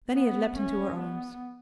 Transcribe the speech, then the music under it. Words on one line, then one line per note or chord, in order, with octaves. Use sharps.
Then he had leapt into her arms.
B3
C#4
B3